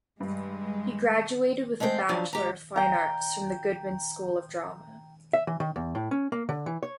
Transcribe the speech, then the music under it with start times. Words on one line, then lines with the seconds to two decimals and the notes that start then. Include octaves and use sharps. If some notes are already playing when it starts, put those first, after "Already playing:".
He graduated with a Bachelor of Fine Arts from the Goodman School of Drama.
0.20 G2 G#3
1.80 G#3 A3 C4 C5 G5
2.09 F3 F#3 D4
2.33 G#2 G4 A#5
2.76 G5 A#5
5.33 E5
5.47 E3
5.60 D#3
5.76 E2
5.95 A2
6.11 C#4
6.32 A#3
6.49 D3
6.66 E3
6.83 C#5